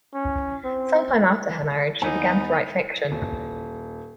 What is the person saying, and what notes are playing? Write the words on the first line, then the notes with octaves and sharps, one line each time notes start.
Some time after her marriage she began to write fiction.
C#4
C4
D#2 B3 D#4 G#5
D#1